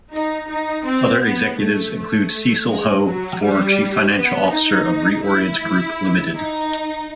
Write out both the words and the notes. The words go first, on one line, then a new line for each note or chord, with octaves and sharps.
Other executives include Cecil Ho, former Chief Financial Officer of ReOrient Group Limited.
D#4
D#4
C4
B3
A3
A3
G#3
F#3
G3
B3
D#4
E4
D#4